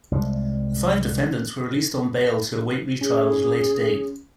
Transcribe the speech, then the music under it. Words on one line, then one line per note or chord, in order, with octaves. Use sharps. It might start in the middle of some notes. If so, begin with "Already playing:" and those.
The five defendants were released on bail to await retrial at a later date.
C2 G3 G#3
C#4 G#4